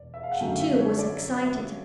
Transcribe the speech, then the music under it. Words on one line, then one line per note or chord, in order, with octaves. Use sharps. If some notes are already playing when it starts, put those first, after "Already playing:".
She, too, was excited.
Already playing: E1 D5
E5
F5
F#5
F#2 D3 F#3 A3 G5
F5
E5
C#5
D5